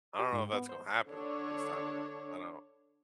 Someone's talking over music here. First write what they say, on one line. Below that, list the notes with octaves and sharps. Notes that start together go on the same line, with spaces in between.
I don't know if that's gonna happen this time around. I don't know.
G4
G#2
B3
C5
D3 D4 C#5